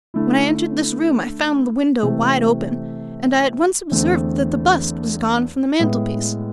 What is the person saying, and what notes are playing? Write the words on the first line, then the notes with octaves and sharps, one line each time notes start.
When I entered this room I found the window wide open, and I at once observed that the bust was gone from the mantelpiece.
D3 A3 E4
C3 E3 A3
E2 D3 A3 C4
A2 G#3 B3